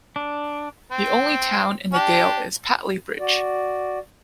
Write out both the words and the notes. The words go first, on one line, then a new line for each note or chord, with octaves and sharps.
The only town in the dale is Pateley Bridge.
D4
C4
D4 G4
F#4 D5